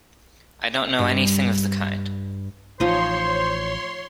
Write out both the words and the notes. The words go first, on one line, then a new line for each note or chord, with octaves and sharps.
I don't know anything of the kind.
G2
A1 F3 D#4 C5 C#5 D#5 C6